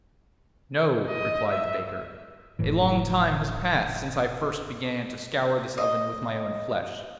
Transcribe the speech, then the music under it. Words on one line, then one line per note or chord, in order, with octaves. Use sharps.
'No,' replied the baker; 'a long time has passed since I first began to scour this oven with my own flesh.
D#5
E5
F#1 A2 E3
D#5